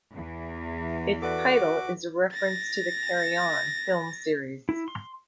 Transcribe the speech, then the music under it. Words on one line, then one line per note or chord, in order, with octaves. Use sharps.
Its title is a reference to the "Carry On" film series.
E2 E3
F#4 A4 B4 D5 D6
A6 A#6
E4
C6